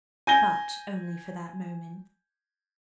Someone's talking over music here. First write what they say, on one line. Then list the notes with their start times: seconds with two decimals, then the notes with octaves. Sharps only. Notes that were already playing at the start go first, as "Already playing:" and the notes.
But only for that moment.
0.27 G#5 G6 A#6 G7